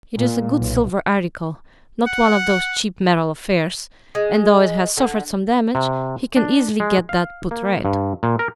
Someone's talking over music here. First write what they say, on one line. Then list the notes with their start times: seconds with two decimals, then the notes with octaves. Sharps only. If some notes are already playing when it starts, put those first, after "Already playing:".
It is a good silver article--not one of those cheap metal affairs; and though it has suffered some damage, he can easily get that put right.
0.17 A#2
0.59 B1
2.07 F#5
4.15 G#3
4.97 D3
5.75 C3
6.37 D4
6.80 G#3
7.09 F5
7.51 A#3
7.85 G2
8.23 A#2
8.39 A#4